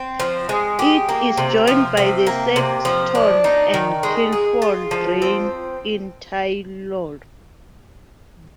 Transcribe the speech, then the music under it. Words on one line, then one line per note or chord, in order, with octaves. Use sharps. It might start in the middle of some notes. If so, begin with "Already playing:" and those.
It is joined by the Sexton and Kilfoil Drain in Taylor.
Already playing: C4
F3
G#3
G4
A#3
C3
F3
C3
A#3
C3
F3
D4
D#4
D#3
G#3
G#4
F4
F3
C4